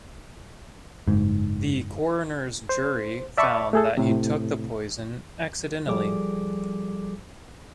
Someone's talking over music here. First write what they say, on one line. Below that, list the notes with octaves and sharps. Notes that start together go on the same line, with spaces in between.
The coroner's jury found that he took the poison accidentally.
F#1 G#2
C5
D5 E5 A5 B5 C#6 D6
A3 G#4 A4
A2 C3
F3 G3 G#4 A4 D6